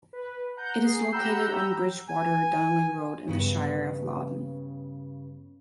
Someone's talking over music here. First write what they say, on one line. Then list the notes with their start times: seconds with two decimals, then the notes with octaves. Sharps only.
It is located on Bridgewater - Dunolly Road, in the Shire of Loddon.
0.13 B4
0.57 F#5 A#5 G6
0.84 G#4 C7
1.12 G4 F#5 A#5 B5 E6 G6
2.08 G#5
3.28 G2 C#3 B3